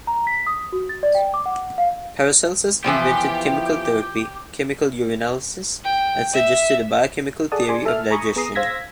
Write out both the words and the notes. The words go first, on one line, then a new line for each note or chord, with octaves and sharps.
Paracelsus invented chemical therapy, chemical urinalysis, and suggested a biochemical theory of digestion.
A#5
B6
D#6
F#4
A6
D5
G5
D6
F#5
F5
E3 F3 B3 G4
G5
E5
G#4 A4 D5 F#5 A5 D#6
D5 G#5 C6
A4 E5 A5 F6
G#5 A#5 B5 C#6 D#6
B3 G#4 A#5 D#6 C7
C5 F5 E6 G#6 A#6 B6